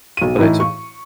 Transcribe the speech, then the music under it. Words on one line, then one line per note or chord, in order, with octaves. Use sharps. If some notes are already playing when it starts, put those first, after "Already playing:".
but I took
B1 D#7
A2 E3 D#4 E4
C#6